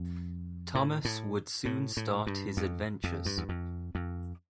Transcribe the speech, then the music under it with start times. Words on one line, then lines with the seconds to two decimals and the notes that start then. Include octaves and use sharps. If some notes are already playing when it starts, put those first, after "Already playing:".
Thomas would soon start his adventures.
Already playing: F2
0.75 A2
1.05 A2
1.65 A2
1.97 A2
2.27 G2
2.57 F2
3.04 F2
3.26 G2
3.38 E2
3.49 F2
3.95 F2